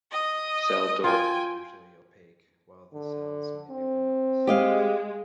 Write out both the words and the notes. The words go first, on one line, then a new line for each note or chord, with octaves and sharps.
Cell doors are usually opaque, while the cells may be windowless.
D#5 D#6
F4 G5 G#5
D3
C4
G#3 G4 D#5 F5